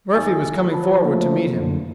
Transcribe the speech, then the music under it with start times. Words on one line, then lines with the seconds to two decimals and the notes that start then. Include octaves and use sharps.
Murphy was coming forward to meet him.
0.16 D#2 G#5 A6
0.71 F3 A5 B5
1.04 A3 A#3
1.52 F#2 D3